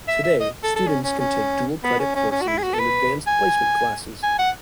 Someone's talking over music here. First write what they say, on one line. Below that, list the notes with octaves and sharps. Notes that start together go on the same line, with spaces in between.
Today, students can take Dual-credit courses and Advanced Placement classes.
E5
E5
D#5
A4
A4
C#4
C#4
C#4
B3
C#4
C#4
C#4
F#4
E4
G#4
F#4
A4
B4
G#5
G#5
F#5